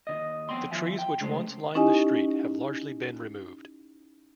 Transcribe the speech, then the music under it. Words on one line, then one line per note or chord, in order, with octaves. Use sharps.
The trees which once lined the street have largely been removed.
D#2 C3 D#5
F2 F#3 B3 G5 C6
D#3 F3 E5 G#5
G5
C#3 G#3 A3 C5
C#4 D#4 E4 G4 D#5 G#5